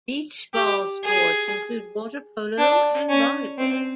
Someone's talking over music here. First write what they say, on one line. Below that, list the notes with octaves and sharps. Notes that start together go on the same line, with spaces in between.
Beach ball sports include water polo and volleyball.
G4
G#4
D4
C#4
C4